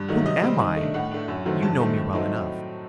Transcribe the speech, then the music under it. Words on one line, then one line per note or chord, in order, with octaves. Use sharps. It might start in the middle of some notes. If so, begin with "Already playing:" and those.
"Who am I? You know me well enough."
Already playing: G2
D#3 F#3 A3 D#4
C3 D#5
G3 C4
D#3
A3 D4
A2 F#5
A3 D4
F#2
D#3 F#3 A3 C4
G2 A5
D#3 A3 C4
A2
F#3 A3 C4 D#4